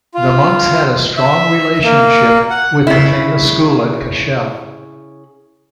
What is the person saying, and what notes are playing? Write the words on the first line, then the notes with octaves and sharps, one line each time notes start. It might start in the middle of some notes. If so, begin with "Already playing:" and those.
The monks had a strong relationship with the famous school at Cashel.
F4
E5
A#3
F#5
C#3 E4